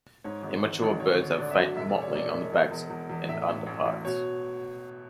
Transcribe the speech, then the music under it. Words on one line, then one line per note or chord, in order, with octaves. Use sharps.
Immature birds have faint mottling on the back and underparts.
G#2 C#5
G#1
E3
G#1
D2 C#5
D2
D3 D5
E5
F#3
E1 E5
D5
E1
C#5
E1 D5
E1
E2
E2
E2
E2
A2 E5
A1
A1
A1
B2 C#5